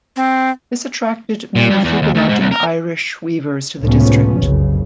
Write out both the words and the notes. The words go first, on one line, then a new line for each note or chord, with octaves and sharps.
This attracted many Huguenot and Irish weavers to the district.
C4
A#2
G2
E2
D#2
D2
G#2
C2
A#4
C#2 A2 C3 F3 B3 C#4
F#1 C2 F2 C#3